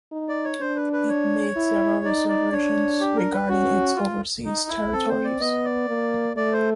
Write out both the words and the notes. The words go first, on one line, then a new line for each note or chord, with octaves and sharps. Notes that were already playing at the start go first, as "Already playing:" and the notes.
It made several reservations regarding its overseas territories.
D#4
D5
C#5
D4 C5
B4
B4
C#5
E4
D#4 D5
D5
D4 C#5
G4
A#4
B4
C#4 F#4
F4
D#4
E4
C4 A4
C5
D5
B3 D#5
D5
A#3
A3 D5
C5